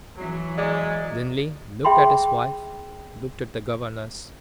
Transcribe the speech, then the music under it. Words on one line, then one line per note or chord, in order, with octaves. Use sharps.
Linley looked at his wife, looked at the governess.
E3 F#3
G#3 D5
G#4 E5 G5 B5 C6